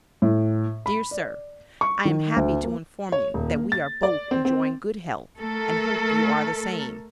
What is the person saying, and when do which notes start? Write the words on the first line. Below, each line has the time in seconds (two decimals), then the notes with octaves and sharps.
DEAR SIR:--I am happy to inform you that we are both enjoying good health and hope you are the same.
0.22 A2
0.86 B5
1.11 D5
1.81 C#6
2.05 D#3
2.36 D2
2.63 A#3
3.12 C#5
3.34 D#1
3.49 A#3
3.72 A6
4.03 D5
4.31 C4
4.45 C4
5.39 A3 A4 A#4